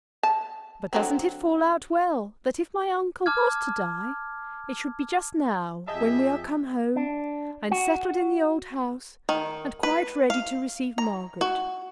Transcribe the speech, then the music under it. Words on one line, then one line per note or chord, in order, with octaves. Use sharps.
But doesn't it fall out well, that if my uncle was to die, it should be just now, when we are come home, and settled in the old house, and quite ready to receive Margaret?
A5
D3 F#3 C4
A5 D6 F6 G#6
F2 G4 G#4 D#5 E5 A5
D4
F#4
D#3
B4
F5
A#5
F#4